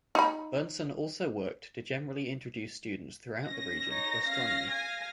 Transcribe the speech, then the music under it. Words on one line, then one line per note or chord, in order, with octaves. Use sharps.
Bernson also worked to generally introduce students throughout the region to astronomy.
D#4 B5
C#4 A#6
D#4 C#5
C#4 F5
F5 G#5